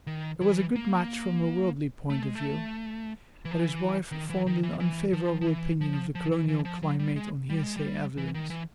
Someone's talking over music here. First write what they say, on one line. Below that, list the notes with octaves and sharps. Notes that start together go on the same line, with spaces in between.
It was a good match from a worldly point of view, but his wife formed an unfavourable opinion of the colonial climate on hearsay evidence.
D#3
E3
A#3
A3
G#3
A3
E3
F3
E3
D#3
E3
D#3
E3
E3
F3
F3
E3
F3
F3
E3
E3
F3
F#3
G3
G#3
G3
G#3
G3
E3
D#3
E3